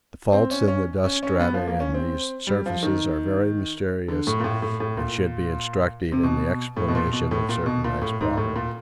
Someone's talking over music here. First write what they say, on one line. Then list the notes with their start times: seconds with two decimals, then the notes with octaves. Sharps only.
The faults in the dust strata in these surfaces are very mysterious and should be instructive in the explanation of certain ice problems.
0.33 C4
0.51 C#4
0.68 C#4
1.04 C#4
1.23 C#4
1.40 B3
1.54 F3
1.67 A#3
1.80 C#4
1.94 C4
2.47 G3
2.66 F3
2.83 D#3
4.08 D3
4.27 A2
4.40 A#2
4.44 A2
4.62 A2
4.80 A2
4.97 A#2
6.12 C3
6.23 B2
6.77 A2
6.88 B2
6.95 A#2
7.13 B2
7.31 A2
7.49 A#2
7.66 B2
7.84 A#2
8.02 A2
8.21 G#2
8.37 A2
8.56 A#2